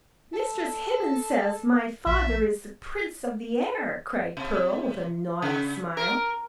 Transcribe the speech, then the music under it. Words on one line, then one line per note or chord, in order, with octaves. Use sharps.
"Mistress Hibbins says my father is the Prince of the Air!" cried Pearl, with a naughty smile.
A4
A#1 E5
C3
C#3
A#4